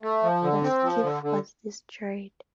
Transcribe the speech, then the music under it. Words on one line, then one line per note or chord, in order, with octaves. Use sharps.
The skiff was destroyed.
A3
F3
D3
C4
F3
D3
D3